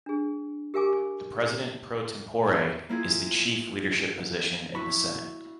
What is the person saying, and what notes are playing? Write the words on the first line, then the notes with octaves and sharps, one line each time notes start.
The President pro tempore is the chief leadership position in the Senate.
D4 G#4
G4 A#4 F5 G#5 D6
A#3 E4 F4 G#4
E4 F#4 B5 C#6